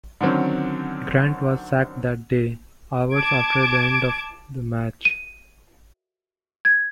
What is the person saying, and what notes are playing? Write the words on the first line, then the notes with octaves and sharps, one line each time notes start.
Grant was sacked that day, hours after the end of the match.
D3 D#3 F#3 C4 C#4
A5 D6 G#6 D7
D#7
G#6